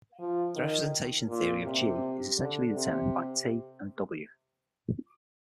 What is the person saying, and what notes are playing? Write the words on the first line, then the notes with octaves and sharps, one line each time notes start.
The representation theory of "G" is essentially determined by "T" and "W".
F3
D#3
A#2
C3
D3
C3